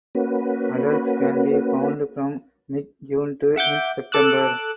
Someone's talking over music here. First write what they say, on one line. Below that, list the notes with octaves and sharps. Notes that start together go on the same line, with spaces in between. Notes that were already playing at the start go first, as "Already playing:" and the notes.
Adults can be found from mid June to mid September.
A#3 C#4 F#4 B4
E5 F#5 D6 G6
A4 D6 E6 F#6